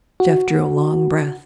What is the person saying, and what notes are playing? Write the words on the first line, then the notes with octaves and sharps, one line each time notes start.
Jeff drew a long breath.
F#4